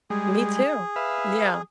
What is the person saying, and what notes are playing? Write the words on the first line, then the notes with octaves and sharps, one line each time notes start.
Me too. Yeah.
G3 G#3 G#4
B4 E5 F5